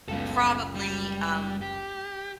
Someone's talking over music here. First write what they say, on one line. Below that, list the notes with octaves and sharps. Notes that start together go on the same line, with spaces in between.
probably, um,
F#1 C#2 B3 A4 F5
G3
G4